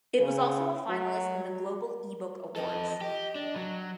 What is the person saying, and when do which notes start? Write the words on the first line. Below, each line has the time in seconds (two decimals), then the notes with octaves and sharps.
It was also a finalist in the Global Ebook Awards.
0.20 C#3
0.89 F#3
2.56 F3 A4 D#5
3.01 G4
3.35 D4
3.56 F#3